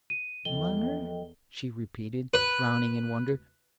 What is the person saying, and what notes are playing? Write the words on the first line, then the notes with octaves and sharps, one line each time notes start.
"Munner?" she repeated, frowning in wonder.
D#7
E2 F3 A4 D#5 G5 G7
B4